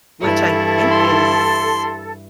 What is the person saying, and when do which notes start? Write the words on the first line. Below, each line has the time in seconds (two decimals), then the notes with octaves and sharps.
Which I think is
0.21 G2 E3 E4 A4
0.91 C6